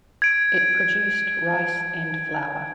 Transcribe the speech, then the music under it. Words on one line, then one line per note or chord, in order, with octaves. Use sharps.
It produced rice and flour.
G#6 D7